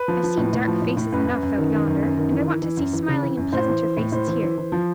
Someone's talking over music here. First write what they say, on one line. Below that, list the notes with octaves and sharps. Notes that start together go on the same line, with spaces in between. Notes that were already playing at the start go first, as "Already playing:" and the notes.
I've seen dark faces enough out yonder; and I want to see smiling and pleasanter faces here.
Already playing: B4
F3
F3
A2
A2
F3
A2
A2
F#2 B4
F#2
F#2
D#3
D#3
F#2
F#2
D#3
E3
E3
E3
F#2
E3
C#3
E3
F#2
A2 C5
E3
E3
A2
A2 C5
E3
E3
E3
F3